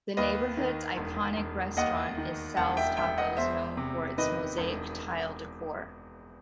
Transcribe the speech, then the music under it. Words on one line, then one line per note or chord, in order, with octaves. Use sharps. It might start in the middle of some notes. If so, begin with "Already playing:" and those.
The neighborhood's iconic restaurant is Sal's Tacos, known for its mosaic tile decor.
D#2 B4 D#5
D#3
E1
E1
D#2 D#5 F#5
D#3
E1 F#5 A5
E5 G5
E1 E5 G5
D#5 F#5
E2 C5 E5
C3
D#3 B4 D#5
E1